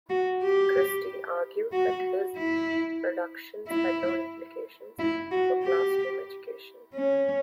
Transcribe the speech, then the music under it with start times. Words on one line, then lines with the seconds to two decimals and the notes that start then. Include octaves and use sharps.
Christie argued that his reductions had no implications for classroom education.
0.10 F#4
0.43 G4
1.73 F#4
2.38 E4
3.68 E4
4.99 E4
5.32 F#4
5.64 G4
6.94 C#4